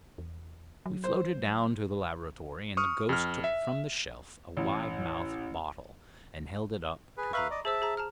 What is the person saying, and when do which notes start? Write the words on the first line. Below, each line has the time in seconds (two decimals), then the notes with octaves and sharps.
We floated down to the laboratory, and the ghost took from the shelf a wide-mouthed bottle and held it up to the light.
0.18 E2
0.86 F#3
1.04 C5
2.77 C#6 D#6 F6
3.09 F2 F6
3.44 E5
4.57 A1
7.17 G#4 B4
7.33 B4 E5 F5 A#5 B5 C#6
7.51 D5 D#5
7.65 G#4 C5 E5 A5 E6
7.82 G#4 A#5
7.97 A5 A#5 F6